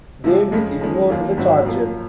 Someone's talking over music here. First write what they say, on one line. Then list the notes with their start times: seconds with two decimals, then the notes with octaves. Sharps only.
Davis ignored the charges.
0.24 C3 F3 G#3
0.52 F2 C#3 G#3
0.81 F2 D#3 G#3 C#4
1.09 D#2 D#3 F#3 A#3 F4
1.37 G#1 G#2 F#3 C4 F#4
1.66 F#2 F3 A#3 F4